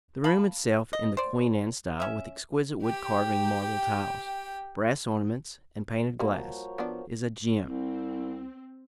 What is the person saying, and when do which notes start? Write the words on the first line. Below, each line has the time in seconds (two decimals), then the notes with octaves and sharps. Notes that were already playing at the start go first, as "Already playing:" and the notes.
The room itself in the Queen Anne style, with exquisite wood-carving, marble tiles, brass ornaments, and painted glass, is a gem.
0.24 F5 A5 B5
0.93 D#5
1.17 C5 D5
2.00 C#4 E5
2.83 G4 G5
6.19 F3 G3 A#3 F#4 A#4
6.37 C5 C#5
6.78 F3 B3 D4
7.61 C2 C4